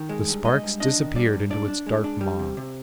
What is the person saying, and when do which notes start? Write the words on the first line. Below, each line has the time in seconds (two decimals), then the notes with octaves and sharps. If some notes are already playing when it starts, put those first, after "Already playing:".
The sparks disappeared into its dark maw.
Already playing: D#3
0.09 G#3
0.28 G2
0.45 G#3 D#5
0.63 G2
0.80 D4 D#5
0.98 D#3
1.15 G2 D5
1.33 G2
1.50 D4 D5
1.68 D4
1.86 G#3
2.04 D4
2.21 G3
2.39 C3
2.57 C3